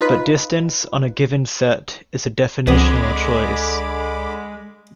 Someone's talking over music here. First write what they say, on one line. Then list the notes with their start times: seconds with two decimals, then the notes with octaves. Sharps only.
But distance on a given set is a definitional choice.
0.01 D#4 F4 B4
2.67 C#2 D3 G#3 B3 C4 B5 D6 D#6